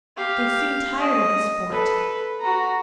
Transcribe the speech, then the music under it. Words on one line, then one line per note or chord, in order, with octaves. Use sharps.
They soon tired of the sport.
G4 F5
D#5
A4 B4
F#4 A#5